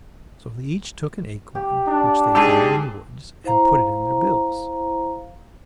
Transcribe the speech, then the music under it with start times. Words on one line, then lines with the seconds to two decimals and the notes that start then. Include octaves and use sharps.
So they each took an acorn which they found in the woods and put it in their bills.
1.55 G4
1.88 D4
2.35 G#2 G4 G#4 A5 E6
3.44 E4 C5 F5 A#5